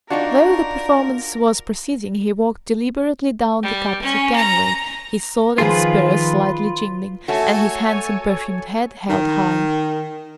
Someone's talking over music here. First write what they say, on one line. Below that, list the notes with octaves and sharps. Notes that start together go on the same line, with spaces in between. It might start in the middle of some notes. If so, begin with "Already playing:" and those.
Though the performance was proceeding, he walked deliberately down the carpeted gangway, his sword and spurs slightly jingling and his handsome perfumed head held high.
D4 D#4 F4 F#4 A#4
G3
C#4
A#5
D#3 F3 F4 G#4 B4
A3 F#4 A4 C#5 G#5
D#3